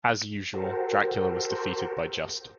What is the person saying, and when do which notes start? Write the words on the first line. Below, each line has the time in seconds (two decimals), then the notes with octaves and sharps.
As usual, Dracula was defeated by Juste.
0.54 F#4 G4 A4 A#4 C5